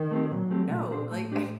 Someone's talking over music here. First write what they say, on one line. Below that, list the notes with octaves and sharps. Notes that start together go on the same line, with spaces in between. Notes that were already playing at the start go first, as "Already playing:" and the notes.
"No, like, I
Already playing: D#3
A3 C4 G4
A#2 F#3
A3 C4 G4
A#2 A3
D4 G4 C5
A2 A3
D4 G4 C5